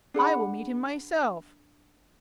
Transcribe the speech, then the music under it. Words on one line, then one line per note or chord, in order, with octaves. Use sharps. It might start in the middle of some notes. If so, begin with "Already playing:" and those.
"I will meet him myself!"
D4 G#4 F#5 B5